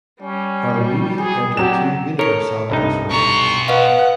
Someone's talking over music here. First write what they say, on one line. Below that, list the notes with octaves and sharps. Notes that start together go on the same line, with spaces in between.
Armenia entered two universality swimmers.
G3 C#4
F#4
G#4
F#3 C4 F#4 G4 D5 E7
A4 A#4 C#5 C#7
C2 G2 D#4
B2 A#5 C#6
B4 D#5 F5 F#5